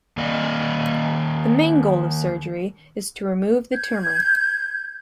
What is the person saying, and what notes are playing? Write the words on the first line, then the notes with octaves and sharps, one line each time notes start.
The main goal of surgery is to remove the tumor.
D#3 A#3 D5 D#5
G6 G#6